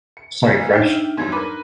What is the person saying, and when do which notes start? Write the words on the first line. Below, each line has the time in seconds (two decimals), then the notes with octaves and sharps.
Starting fresh.
0.17 C#7
0.44 F1 A#2
0.71 D4 D#4 E5 G5 F6
1.17 E2 G2 F#3 C6 G#6
1.32 A#4 B4 D6